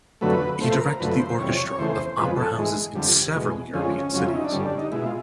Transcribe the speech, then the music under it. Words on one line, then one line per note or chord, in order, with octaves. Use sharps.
He directed the orchestra of opera houses in several European cities.
F2 D3 F#3 A3 B4
A2 F3 A3 C5
B4
A#4
F#2 D3 F3 A3 B4
C5
F2 C3 E3 G3 C#5
C#5
E2 C#3 E3 A3 C5
F2 C#3 F3 G#3 B4
A4
G#2 E3 G#3
F2 D3 G3
E2 B2 G#3
F2 D3 F3 G#3 C#4
F2 C#3 F#3 F4
E4
D#4
D4
G2 D3 G3 C#4
D4
D#4
B2 G#3 E4
F4